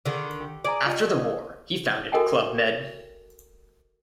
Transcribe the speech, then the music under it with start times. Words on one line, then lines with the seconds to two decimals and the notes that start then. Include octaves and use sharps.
After the war, he founded Club Med.
0.05 D3 D#3 G#4 D5
0.40 G4
0.64 G#4 D5 G#5 A#5
0.85 F4 G4 D#5
1.07 G#4 A4 D#5
2.12 F#4 A4 A#4 D#5 G5 G#5